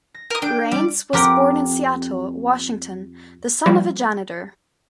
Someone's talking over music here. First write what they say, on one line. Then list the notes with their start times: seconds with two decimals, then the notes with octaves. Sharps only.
Raines was born in Seattle, Washington, the son of a janitor.
0.15 A#6
0.30 A#4 D#6
0.42 D4 G5
0.72 G3 D5
1.13 F2 G4 A#4 F#5 G5
3.66 F3 G3 A#3 E4 F#4